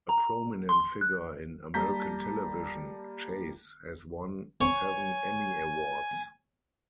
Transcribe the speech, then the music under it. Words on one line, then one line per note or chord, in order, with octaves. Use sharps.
A prominent figure in American television, Chase has won seven Emmy Awards.
A#5
C6
F#6
G3 A#3 A5 A#5 G6 B6
C#5 G#5